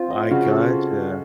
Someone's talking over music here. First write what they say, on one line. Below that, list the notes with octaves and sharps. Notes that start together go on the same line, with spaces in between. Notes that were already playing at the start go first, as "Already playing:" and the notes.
I gotcha.
Already playing: C4 F4
D#5
C#3 F#4
A4